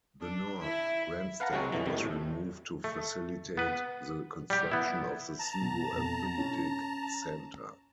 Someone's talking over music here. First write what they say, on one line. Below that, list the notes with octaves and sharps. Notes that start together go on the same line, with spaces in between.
The north grandstand was removed to facilitate the construction of the Sebo Athletic Center.
D4
E4
B4 F5 F#5 A5 A#5
C3 F#3 G#3 C4 F#4
F2 B2 D3 E3
F2 C3 D#3 G3
A2 A3
A3
B3 B4
G3 G4
B3 E4
A5 A#5
B2
F2 B2
C#4